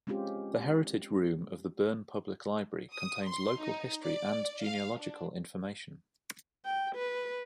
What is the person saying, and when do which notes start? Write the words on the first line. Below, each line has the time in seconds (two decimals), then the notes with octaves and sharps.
The Heritage Room of the Berne Public Library contains local history and genealogical information.
0.07 G#3 C4 C#4 F4 G4
2.92 D#6
3.26 C6
3.60 D#4
4.03 D5
4.63 F5
4.98 D4
6.65 G5
6.96 B4